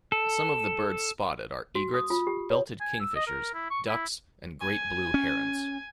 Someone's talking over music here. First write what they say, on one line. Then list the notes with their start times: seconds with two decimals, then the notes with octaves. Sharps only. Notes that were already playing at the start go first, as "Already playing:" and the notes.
Some of the birds spotted are egrets, belted kingfishers, ducks, and great blue herons.
0.12 A4
1.75 F#4
1.94 D#6
2.10 F4
2.27 G4
2.50 C#5
2.81 G#5
3.01 E6
3.15 D#5
3.27 A#4
3.54 E4
3.70 C#6
3.88 E4
4.61 G#5
5.14 C#4